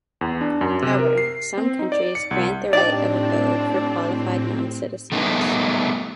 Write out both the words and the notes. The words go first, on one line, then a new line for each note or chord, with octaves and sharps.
However, some countries grant the right of abode for qualified non-citizens.
E2
D4
F#2
C3
A#4
C7
C4
D#4
D5
C#7
C2
A2 C4 D4 D#4 G4 D5
F3 G3 A3 B3 D#4